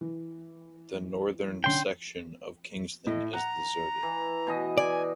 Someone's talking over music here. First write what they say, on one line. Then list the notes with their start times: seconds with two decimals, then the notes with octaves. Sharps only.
The northern section of Kingston is deserted.
0.01 E3
1.64 D3 C#4 G5 C6
3.07 A2 E4 D#5
3.33 F#5 A#5
4.03 E3
4.47 B2 E3 D#5
4.78 D5 G#5